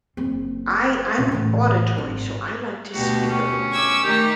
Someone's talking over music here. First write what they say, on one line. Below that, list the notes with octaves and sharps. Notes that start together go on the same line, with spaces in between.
I I'm auditory, so I like to speak about them.
F#1 C4
C#2 A#2
A2 E3
G#1
D2 B2 F#4 G4
C#4
D6 E6 G#6
D#3 A3 D#4 G4